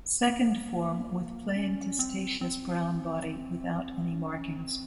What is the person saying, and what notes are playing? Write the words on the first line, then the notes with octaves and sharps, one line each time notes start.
Second form with plain testaceous brown body without any markings.
A#3
C#4
C4
C4
C#4
C4